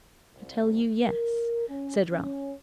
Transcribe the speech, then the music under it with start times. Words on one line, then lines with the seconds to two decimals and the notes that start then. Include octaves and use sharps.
I tell you yes,' said Ralph.
0.35 C2
1.06 A#4
1.68 C#4
2.12 C#4